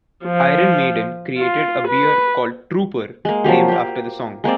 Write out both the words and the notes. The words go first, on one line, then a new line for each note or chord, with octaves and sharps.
Iron Maiden created a beer called "Trooper", named after the song.
F3
F4
B4
G#3 A#3
F3 F#3 A#3 G4
A#3 G4
G#3 A#3 C4 D5